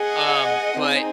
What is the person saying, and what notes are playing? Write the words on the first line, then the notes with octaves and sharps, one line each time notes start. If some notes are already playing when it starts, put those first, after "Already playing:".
um, but,
Already playing: G#4 D#5 F#5
C4 D#4 G#4